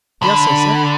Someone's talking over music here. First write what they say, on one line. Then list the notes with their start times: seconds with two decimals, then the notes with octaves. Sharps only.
"Yes," I said.
0.23 D3 B5